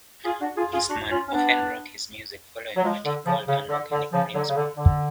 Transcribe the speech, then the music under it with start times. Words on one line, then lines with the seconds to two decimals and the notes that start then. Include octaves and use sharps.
Eastman often wrote his music following what he called an "organic" principle.
0.25 F4 G#4
0.41 D4 F#4
0.56 F4 G#4
0.73 F4 G#4
0.89 D4 F#4
1.11 C#4 F4
1.28 C#4
1.32 B3 D4
2.77 F#3
2.83 F3 G#3
3.05 D3
3.26 C#3 F3
3.48 C#3
3.69 D3
3.92 D3
4.13 C#3 F3
4.34 D3 F#3
4.49 C#3
4.56 D3
4.77 D3